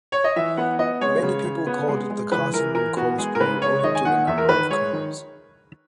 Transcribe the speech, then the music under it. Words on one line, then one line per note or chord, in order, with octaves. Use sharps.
Many people called it "The Castleman Corkscrew" owing to the number of curves.
C#5
D#5
E3 E5
B3 F#5
B3 D#5
G#3 C#5
C#3
C#3
B3
G#3
G#3
E3 B4
E3 A#4
E3 A#4
B3 F#4
G#3 G#4
A#4
C#3 B4
G#3 C#5
C#5
D#3 D#5
G#5
D#3 F#5
E2 E5
A#4
D#3 B4
G#3 C#5
D#3